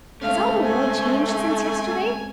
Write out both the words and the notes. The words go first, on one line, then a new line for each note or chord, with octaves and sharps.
Has all the world changed since yesterday?
G#3 A3 C4 C#4 F5
C5 G#5
G#5